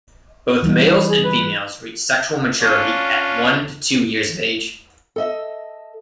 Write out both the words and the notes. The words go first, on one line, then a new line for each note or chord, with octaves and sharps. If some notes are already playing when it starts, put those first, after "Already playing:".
Both males and females reach sexual maturity at one to two years of age.
E3 G3 D#4
G#4
B4
C#4 D4 F4
A4 D#5 E5